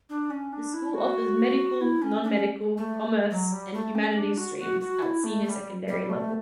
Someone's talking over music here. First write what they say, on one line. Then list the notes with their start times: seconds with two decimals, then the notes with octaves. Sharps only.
The school offers Medical, Non-medical, Commerce and Humanities streams at Senior Secondary level.
0.10 D4
0.30 C#4
0.52 D4
0.74 E4
0.95 F#4
1.81 E4
2.02 C#4
2.24 D4
2.28 C#4
2.78 A3
3.31 F#3
3.52 G3
3.74 A3
3.95 C#4
4.16 D4
4.38 F#4
4.59 F#4
4.81 F#4
5.02 E4
5.24 A3
5.45 A3
5.49 G3
5.88 G3
6.10 A3